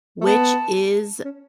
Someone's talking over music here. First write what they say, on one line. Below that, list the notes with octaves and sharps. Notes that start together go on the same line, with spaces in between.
which is
A3
B3 A5
C#4